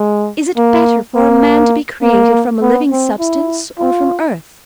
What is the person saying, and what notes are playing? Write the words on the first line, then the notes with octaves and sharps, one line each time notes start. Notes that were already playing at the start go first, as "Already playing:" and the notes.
Is it better for a man to be created from a living substance or from earth?
Already playing: G#3
A#3
A#3
A#3
B3
C4
E4
F4